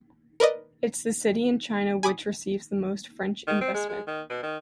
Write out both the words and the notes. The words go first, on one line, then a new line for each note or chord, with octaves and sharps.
It's the city in China which receives the most French investment.
A#4 B4 D5 D#5
G#5 B5 D6 D#6
D#3
C4
G#3
G#3
D#3
B2
D#3